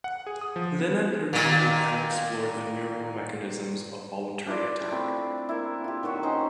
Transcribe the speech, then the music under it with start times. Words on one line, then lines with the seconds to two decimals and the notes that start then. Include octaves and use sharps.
Lin and her team then explored the neural mechanisms of voluntary attack.
0.04 F#5
0.27 G#4
0.41 D#6
0.56 F3
0.80 B3
1.33 A#2 D#3
4.47 D4 E4 F4 D5
4.91 A3 C4 B5
5.49 A#3 E4
5.84 F4 G4
6.03 D#3 F#3 F#4 C#5
6.22 C#4 D#4 C5 G5